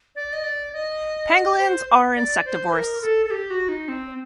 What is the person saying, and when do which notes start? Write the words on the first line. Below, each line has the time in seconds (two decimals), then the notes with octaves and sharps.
Pangolins are insectivorous.
0.16 D5
0.33 D#5
0.44 D5
0.73 D#5
1.59 C5
2.16 D5
2.45 C5
2.73 A#4
3.02 A4
3.26 A4
3.31 G4
3.50 F#4
3.69 D#4
3.88 C4